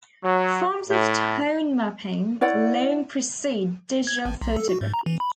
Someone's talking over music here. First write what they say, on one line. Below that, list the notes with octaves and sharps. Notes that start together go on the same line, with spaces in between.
Forms of tone mapping long precede digital photography.
F#3
A2
E4 C#5 D5 F#5
G#6
G#1
B1
A4
F#4
G#2
A#5
E3
B5